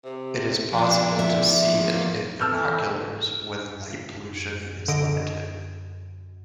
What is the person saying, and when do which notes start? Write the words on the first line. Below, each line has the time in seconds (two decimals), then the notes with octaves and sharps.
It is possible to see it in binoculars when light pollution is limited.
0.04 C3
0.73 F3 B3 D4
1.19 E5
1.93 A#3
2.40 A4 A5 E6 F6 G6
3.67 F#2
4.88 D3 D#5 D7